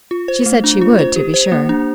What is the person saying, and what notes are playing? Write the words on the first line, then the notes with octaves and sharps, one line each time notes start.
She said she would, to be sure.
F4
C5
A3
D4
F4
C5
G4
C5
A#3
D4